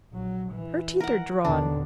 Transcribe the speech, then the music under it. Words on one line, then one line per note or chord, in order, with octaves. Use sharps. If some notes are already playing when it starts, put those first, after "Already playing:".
Her teeth are drawn.
A#1 F#3
E3
A#4 F#5
D#2 B2 D3 D4